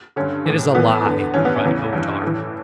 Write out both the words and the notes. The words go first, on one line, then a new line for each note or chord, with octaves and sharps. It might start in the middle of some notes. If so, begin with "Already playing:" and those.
"It is a lie!" cried O-Tar.
G2 D3 C#4
A2 E3
A2 E3 B3
E2 D3
G2 E3 C#4
B3
C#4
E2 C#3 E3
G2 E3
A2 E3